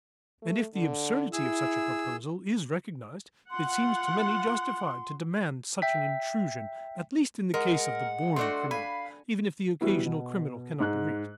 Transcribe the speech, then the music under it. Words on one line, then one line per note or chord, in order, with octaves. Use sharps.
And if the absurdity of such a proposal is recognized it seems to many justified to demand such an intrusion at least in the case of the born criminal, even if the occasional criminal cannot be reached.
A3
D3
E4 G#4 E6
F4 F#5 C6
E5 G5 B6
G#3 A#4 F#5
A3 D4 F#4 C6
F5 G#5 B5
E3 G3 B3 E4 F#4
B2
G#2 F#6